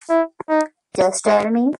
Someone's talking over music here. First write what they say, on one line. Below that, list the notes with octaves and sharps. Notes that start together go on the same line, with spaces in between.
Just tell me.
E4
D#4
G#3